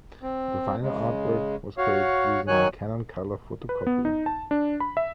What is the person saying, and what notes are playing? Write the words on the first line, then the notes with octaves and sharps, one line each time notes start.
The final artwork was created using a Canon colour photocopier.
C4
C#3 G#3
F#4 C#5 F5
D#3 F#3 C#5 G#5 F#6
B4
B3
D#4
A5
D4
B5
E5